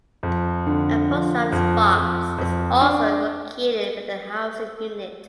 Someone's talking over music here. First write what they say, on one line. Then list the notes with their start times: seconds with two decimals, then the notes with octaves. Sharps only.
A post office box is also located within the housing unit.
0.23 F2
0.67 D3
1.10 F3
1.52 F2
1.95 F2
2.38 F2
2.81 D4